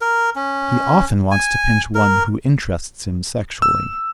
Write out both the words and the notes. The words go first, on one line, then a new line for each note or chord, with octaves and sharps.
He often wants to pinch one who interests him sexually.
A#4
C#4
G#5
A#4
E6